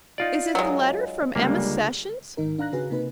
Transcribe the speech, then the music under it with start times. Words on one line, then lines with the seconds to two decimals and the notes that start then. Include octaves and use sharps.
Is it the letter from Emma Sessions?
0.18 D#4 F4 D5
0.55 F#2 F#3 G#3
1.36 C#2 D3 G3 A#3
2.37 A1 G#2 D#3 D#4 A#4
2.58 D4 F5 A#5 F#6 A#6
2.72 C#3 C#4 F#4 G#4 B4
2.90 C3 A#3 D#4 B4